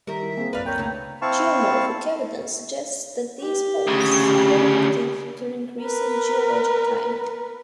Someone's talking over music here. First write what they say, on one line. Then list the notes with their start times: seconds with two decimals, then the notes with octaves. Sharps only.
Geomorphic evidence suggests that these faults were active during recent geologic time.
0.07 D#3 G3 A#4 E5
0.23 E4
0.37 A#3 C4 G#4
0.53 A1 F#2 B4 D5 F5
0.66 C#2 A#4 C#5 G5 A#5 G6
0.78 C#3 A3 A#3 D4 A#5
1.22 C4 E4 F5 A5 C#6
3.41 G4
3.87 D2 C#3
5.81 A#4 B4